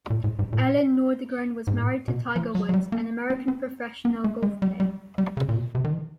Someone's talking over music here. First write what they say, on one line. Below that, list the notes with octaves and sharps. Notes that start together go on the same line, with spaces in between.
Elin Nordegren was married to Tiger Woods, an American professional golf player.
A#2
A2
G#2
A#2
G#2
A2
B2
F3
F#3
F#3
G3
A#3
C4
B3
C4
B3
A3
G#3
G3
G3
G3
C#3
A#2
B2
C3
D#3
E3